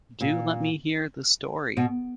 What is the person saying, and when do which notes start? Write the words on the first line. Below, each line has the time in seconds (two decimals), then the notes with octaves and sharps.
Do let me hear the story!
0.21 A#2
1.77 B2